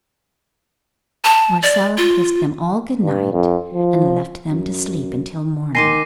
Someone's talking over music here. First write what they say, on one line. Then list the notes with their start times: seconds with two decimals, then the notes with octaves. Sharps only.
Marcella kissed them all good night and left them to sleep until morning.
1.24 A5
1.63 D5
1.98 F4
3.02 G2
3.32 F2
3.74 F3
4.51 F#2
5.75 D#2 D#3 G#5 C6 D6 A#6 C7 D#7